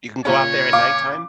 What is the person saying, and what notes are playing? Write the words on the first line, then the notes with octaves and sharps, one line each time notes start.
You can go out there at nighttime.
A#2 C#3 C#4 C#5
F5 D6